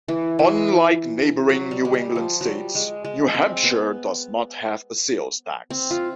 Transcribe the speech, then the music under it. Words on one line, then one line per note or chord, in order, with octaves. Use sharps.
Unlike neighboring New England states New Hampshire does not have a sales tax.
E3
E3
F#3
G3
G#3
G3
F3
F#3 G3
G#3
G#3
C4
B3
C4
F4